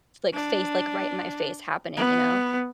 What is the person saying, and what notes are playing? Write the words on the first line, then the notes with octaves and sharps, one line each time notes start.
like, face like, right in my face happening, you know?
D4
B3